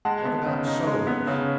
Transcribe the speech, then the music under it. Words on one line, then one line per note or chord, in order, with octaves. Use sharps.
"What about souls?"
G#3 F#5 A5
B3
C#3
D#4
G#3
B3
C#3